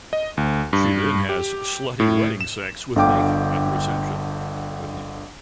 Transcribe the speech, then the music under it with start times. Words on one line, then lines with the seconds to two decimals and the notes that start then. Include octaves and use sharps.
She then has "slutty wedding sex" with Nathan at the reception.
0.13 D#5
0.37 D2
0.73 G2
1.29 G4
2.00 A2
2.41 E7
2.96 G1 D3 F5 G5 D6